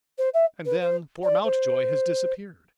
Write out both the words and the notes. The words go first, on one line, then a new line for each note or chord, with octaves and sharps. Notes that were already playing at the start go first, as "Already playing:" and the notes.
And then poor Mountjoy has disappeared.
C5
E5
B4
C5
D5
C5